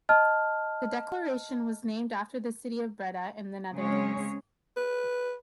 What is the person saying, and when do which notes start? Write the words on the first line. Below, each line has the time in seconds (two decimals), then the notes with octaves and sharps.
The declaration was named after the city of Breda in the Netherlands.
0.09 D#5 A5 F6
3.74 C#3 G#3 C4 C#4 G#4 C#5
4.77 B4